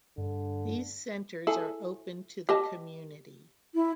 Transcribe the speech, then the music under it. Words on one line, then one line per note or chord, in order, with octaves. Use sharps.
These centers are open to the community.
G2 D3
E4 G#4 A4
G4 D#5 A5
E4